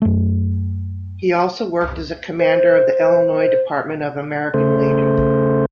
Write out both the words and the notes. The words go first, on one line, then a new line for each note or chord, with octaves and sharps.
He also worked as a commander of the Illinois Department of the American Legion.
F#2 A3
C5
C#3 A3 C5